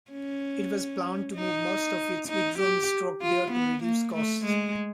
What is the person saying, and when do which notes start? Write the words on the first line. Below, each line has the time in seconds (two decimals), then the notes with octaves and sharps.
It was planned to move most of its withdrawn stock there to reduce costs.
0.11 C#4
1.34 D#4
2.28 D#4
2.59 G4
3.22 F4
3.52 B3
3.84 A#3
4.14 A3
4.45 G#3